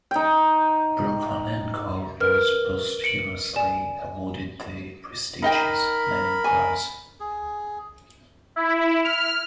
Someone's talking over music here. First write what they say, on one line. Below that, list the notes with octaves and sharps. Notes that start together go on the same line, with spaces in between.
Brukhonenko was posthumously awarded the prestigious Lenin Prize.
D#4 G5
A#4 B4 F6
C#7 D7 F#7
D5 G#5 E7
D#4 A#4 D#5 G5 B5
G#5
G#4
E4
F6